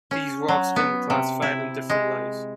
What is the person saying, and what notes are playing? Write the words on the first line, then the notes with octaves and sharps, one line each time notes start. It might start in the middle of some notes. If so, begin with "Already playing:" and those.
These rocks can be classified in different ways.
C#4
F#3
B3
C3
E4
G#3